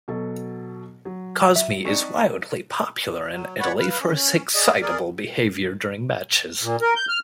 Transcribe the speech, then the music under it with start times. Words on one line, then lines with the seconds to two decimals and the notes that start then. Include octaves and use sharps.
Cosmi is widely popular in Italy for his excitable behaviour during matches.
0.08 B2 F#3 A4
1.05 F#3
1.56 E5
1.85 C4 D4 D#4 C#6 B6 C#7
3.32 F#3
3.61 C#5 D5 F#5 B5 C#6
3.79 B4 F5
4.00 C#4
4.55 G#4 D5 D#5
4.82 G#4 A#4 D5
6.63 A#2
6.82 A#4
6.96 G6
7.09 F6